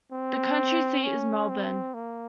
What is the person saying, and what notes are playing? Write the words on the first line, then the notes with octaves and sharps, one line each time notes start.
The county seat is Melbourne.
C4
C#4
C4
A#3